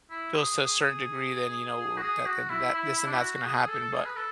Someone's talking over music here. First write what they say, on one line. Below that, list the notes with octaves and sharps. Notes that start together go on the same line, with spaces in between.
goes to a certain degree, then you know, r that then that that this and that's gonna happen. But,
E4
G#4
G#4
F#4
G#4
F#4
E4
E4
E4
D4
E4
F#4
G#4
A4
A4
G#4
B4
A4